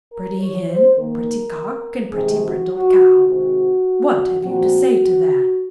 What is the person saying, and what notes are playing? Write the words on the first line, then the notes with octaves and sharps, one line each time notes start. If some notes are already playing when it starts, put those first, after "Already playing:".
"Pretty Hen, pretty Cock, And pretty brindled Cow, What have you to say to that?"
A#4
C#5
C5
D#3 A#3 A#4
C3 D#3 G#3 C4 G#4
F#4
F#4
C3 D#3 G#3 C4 F#4
A#2 F3 C4 F#4